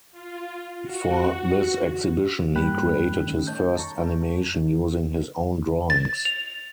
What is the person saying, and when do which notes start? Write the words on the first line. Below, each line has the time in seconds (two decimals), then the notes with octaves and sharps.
For this exhibition, he created his first animation using his own drawings.
0.12 F4
0.82 F#4
2.55 G2 G3 A#3 G5 B5 F#6
3.27 D#3 A3 C#4
3.47 C#5 D#5 A5 G6
3.77 A5 A#5 C#6
5.90 A6
6.25 F7